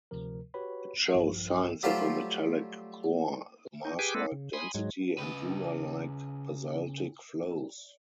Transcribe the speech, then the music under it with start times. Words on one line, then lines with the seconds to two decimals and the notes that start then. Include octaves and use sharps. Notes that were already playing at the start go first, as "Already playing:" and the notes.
It shows signs of a metallic core, a Mars-like density and lunar-like basaltic flows.
0.11 D2 C3 F3 A#4
0.54 F#4 G4 B4 C#5 B5
1.14 A#1 G2 F3
1.83 F#3 G3 A3 F4 G4 C5
3.85 D#4
3.99 G4 G#4 B4 G5 G#5 D6
4.15 G#3 A#3 C4 A4 B4
4.32 C#3
4.53 G#5 B5 C6 D#6
4.74 G#2 F#3 G#3
5.18 C#3 B4